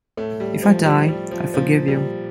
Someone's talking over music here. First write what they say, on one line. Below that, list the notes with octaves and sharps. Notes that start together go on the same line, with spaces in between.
If I die, I forgive you.
A2 A3
G3
F3
G3
G3
F3
A#2 F3
G3